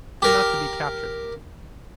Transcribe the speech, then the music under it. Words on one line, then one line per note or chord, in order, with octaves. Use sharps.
Fear not to be captured.
G4 A#4